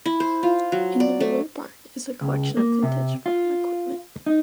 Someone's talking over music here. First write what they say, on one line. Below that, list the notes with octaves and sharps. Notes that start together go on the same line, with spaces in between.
In the Miller Barn is a collection of vintage farm equipment.
E4
C5
F4
F#3
D5
A3
C#2
A#3
C3
F4
D#4